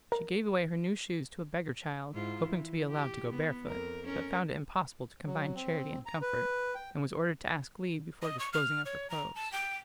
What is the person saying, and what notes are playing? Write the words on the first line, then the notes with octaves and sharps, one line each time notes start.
She gave away her new shoes to a beggar child, hoping to be allowed to go barefoot, but found it impossible to combine charity and comfort, and was ordered to ask leave before disposing of her clothes.
A#4
G#2 E4 F4
E3
G4
B3
F2 A#4
C#4 A#4
F#3
C4
A#5
B4
G5
D#5
C#6
F6
C#5
A#5
A5
G5